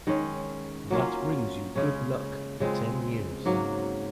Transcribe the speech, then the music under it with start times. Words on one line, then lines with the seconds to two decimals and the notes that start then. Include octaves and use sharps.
That brings you good luck for ten years.
0.07 D#3 G#3 C#4
0.90 F#3 A#3 C#4 F4
1.76 C#3 G#3 C#4
2.60 C#3 G#3 C4 F4
3.45 G#2 F#3 A#3